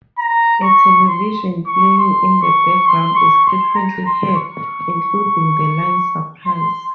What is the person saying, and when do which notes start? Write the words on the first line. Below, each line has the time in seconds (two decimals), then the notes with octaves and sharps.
A television playing in the background is frequently heard, including the line, Surprise!
0.18 A#5
0.62 C#6
1.08 C6
1.67 C#6
1.97 C6
2.42 C#6
2.87 C6
3.16 C#6
3.45 C6
3.75 A#5
4.06 C6
4.36 C#6
6.44 C6